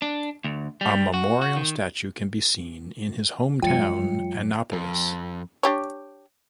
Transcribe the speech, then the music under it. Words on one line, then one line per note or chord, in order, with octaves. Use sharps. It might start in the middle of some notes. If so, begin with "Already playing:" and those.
A memorial statue can be seen in his hometown Anopolis.
D4
D2
G3
F#4
F#4
D#3
F#2 E3 G#3 F4 G5 C#7
F2
D4 G4 C#5